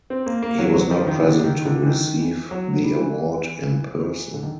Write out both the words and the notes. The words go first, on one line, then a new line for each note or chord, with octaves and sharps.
He was not present to receive the award in person.
C4
A#3
A#3
F#3
F#3
F3
D#3
D3
D#3
D3
E3
D#3
E3
F#3
G3
F3
E3
D3
D#3